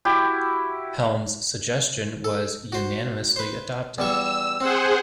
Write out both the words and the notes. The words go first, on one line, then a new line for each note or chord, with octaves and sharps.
Helm's suggestion was unanimously adopted.
E4 F#4 G4
A4
F#4 C5
B4 C5
E2 G3 C#6 E6
C4 G#4 C5 F#5